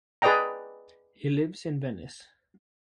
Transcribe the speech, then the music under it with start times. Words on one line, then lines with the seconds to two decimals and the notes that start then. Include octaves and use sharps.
He lives in Venice.
0.22 G#4 B4 D5 D#5 G5 A#5